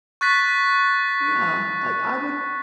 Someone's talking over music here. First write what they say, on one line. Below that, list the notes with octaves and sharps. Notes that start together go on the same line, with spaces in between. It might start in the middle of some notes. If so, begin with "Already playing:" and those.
Yeah, I I would
C#6 F#6 A6 B6